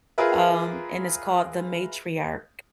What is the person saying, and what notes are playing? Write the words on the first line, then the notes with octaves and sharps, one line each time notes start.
um, and it's called The Matriarch,
F4 G#4 A#4 B4 E5